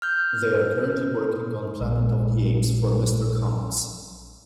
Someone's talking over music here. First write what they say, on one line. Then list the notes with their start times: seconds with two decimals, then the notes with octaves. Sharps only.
They are currently working on "Planet of the Apes" for Mr.Comics.
0.02 F6 G6
1.81 A#1 G#3